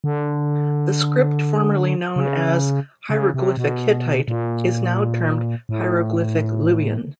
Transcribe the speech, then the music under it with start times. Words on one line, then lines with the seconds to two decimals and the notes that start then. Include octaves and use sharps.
The script formerly known as "Hieroglyphic Hittite" is now termed Hieroglyphic Luwian.
0.04 D3
2.16 C#3
3.10 C#3
3.34 C3
3.57 B2
4.28 A#2
5.69 A2